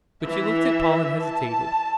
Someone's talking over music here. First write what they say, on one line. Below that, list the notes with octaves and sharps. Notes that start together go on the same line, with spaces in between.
But she looked at Paul and hesitated.
E3 E5
A5